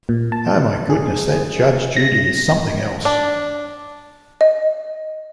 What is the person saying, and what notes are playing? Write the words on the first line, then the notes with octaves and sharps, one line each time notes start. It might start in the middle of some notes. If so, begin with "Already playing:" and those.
Oh my goodness, that Judge Judy is something else.
A#2
A5
G#4
A#6
D4
D#5